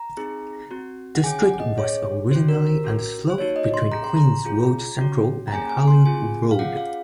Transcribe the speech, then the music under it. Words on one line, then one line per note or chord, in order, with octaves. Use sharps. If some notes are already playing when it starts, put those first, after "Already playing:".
The street was originally on the slope between Queen's Road Central and Hollywood Road.
Already playing: A#5
C4 D#4 G#4
C4 F#4
F#5
C#4 G#4 G#5
F#5
D#5
C#4 G#4 C#5
C#4 F#4 C5
A#4
A#4
C#4 F#4
C5
A#3 D#4 F#4 C#5
D#5
C6
C#4 G#4 A#5
C6
A#5
C#4 F4 G#4
C#4 F#4
A#5
A#3 C#4 G#4 G#5
G#5
C6
C4 F4 G#4 G#5
F5
C#4 F4 G#4 F#5
F5